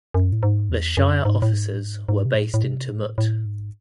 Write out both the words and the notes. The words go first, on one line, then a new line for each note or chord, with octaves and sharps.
The shire offices were based in Tumut.
F#2
A2
G#2
E2
F#2
G#2
A2
G#2
A2
G#2
G#2
C3
A2
A2
C3
A2
A2
G#2